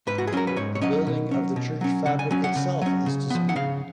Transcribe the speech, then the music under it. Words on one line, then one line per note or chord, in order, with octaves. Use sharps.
The building of the church fabric itself is disputed.
G#2 B4
F#4
G#4
F#3 C#4 A#4
B4
G#2 C#5
C#5
F#3 C#4 D#5
B2
F#3 C#4
B2
F#3 C#4
C#3 F#5
G#5
F#3 C#4 G#5
F#5
C#3
F#3 C#4
C#3
F3 B3
F#5
C#3 F5